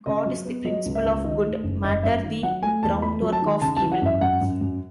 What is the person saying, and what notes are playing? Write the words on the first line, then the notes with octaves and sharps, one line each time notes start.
God is the principle of good, Matter the groundwork of Evil.
C#3 D#5
F#3
B3
F#3 D#5
C#2
E5
C#2
D#3 D#5
A3
F#1
F#1 D#5
F#2 E5
D#3
F#3 F#5
A3 G#5
E2 A5
A3 B5
F#3
A5
D#3
C#3 A5
A5
E3
F#5
F#2 E5
F#2 F#5
F#2
F#2